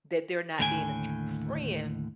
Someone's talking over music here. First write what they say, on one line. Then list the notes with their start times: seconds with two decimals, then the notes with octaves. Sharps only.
that they're not being a true friend,
0.59 D#2 A2 D3 G5 G#5